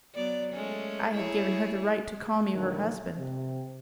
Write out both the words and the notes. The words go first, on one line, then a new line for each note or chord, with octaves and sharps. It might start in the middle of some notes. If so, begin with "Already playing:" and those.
I had given her the right to call me her husband.
F#3 B3 D5
G#3 A3 C#4
E4 G#4 C#5
A#1 G2 D3 D#3 F3 F#3
C3